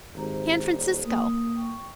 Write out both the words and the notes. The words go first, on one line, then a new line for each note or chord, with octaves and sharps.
San Francisco!
G#1 G4 C5 A#5
D#1
A#3 D#6
G5 C#6